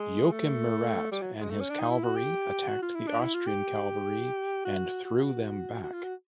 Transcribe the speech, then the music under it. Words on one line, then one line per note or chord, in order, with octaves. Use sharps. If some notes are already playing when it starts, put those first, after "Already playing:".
Joachim Murat and his cavalry attacked the Austrian cavalry and threw them back.
Already playing: G#3
A3
G3
F#3
G#3
A3
C#4
D4
D#4
E4
F#4
G4
F#4
F4
E4
D4
E4
F4
G4
F#4
F#4
F#4
F4
F#4